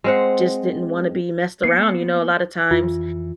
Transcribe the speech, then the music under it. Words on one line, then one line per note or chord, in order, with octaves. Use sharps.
just didn't wanna be messed around, you know? A lotta times
G#3 C4 F#5
A#3 B3 C7 C#7
F2 E3 F4